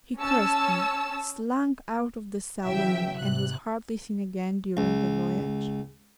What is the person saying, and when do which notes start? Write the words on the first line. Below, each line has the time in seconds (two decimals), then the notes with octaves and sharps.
He cursed me, slunk out of the saloon, and was hardly seen again during the voyage.
0.19 C#4 A5 E6
2.64 C#3 E3 F#3 E5 G5
3.17 G#2 C3 F#6
4.77 C#2